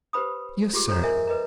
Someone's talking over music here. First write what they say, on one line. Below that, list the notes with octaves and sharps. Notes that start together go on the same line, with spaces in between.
"Yes, sir."
G4 B4 C5 B5 D#6
F4 G4 G#4
A4 C5 C#5 A#5
A#4 D#5 E5 G#5
B4 D#5 A#5